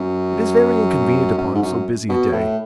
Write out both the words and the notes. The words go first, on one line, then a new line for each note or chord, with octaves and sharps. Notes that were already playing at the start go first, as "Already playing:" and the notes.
"It is very inconvenient upon so busy a day."
Already playing: F#2
F#2
G#2
F#2
B2
A2